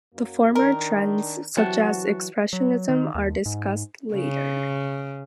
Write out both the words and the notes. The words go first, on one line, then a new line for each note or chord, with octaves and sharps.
The former trends, such as Expressionism are discussed later.
F#2 F#3 A#3
D#3 D4 A#4
C3 E3 F#3 F#4 F#5 A5
F#3
D#3
D#2
G#2
C#3